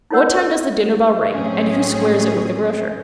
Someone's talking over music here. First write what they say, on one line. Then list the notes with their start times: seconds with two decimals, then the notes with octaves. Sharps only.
What time does the dinner bell ring and who squares it with the grocer?
0.11 D#4 F4 A4 C#5 F#5 E6
1.32 A2 F#3 C4 C#4 G#4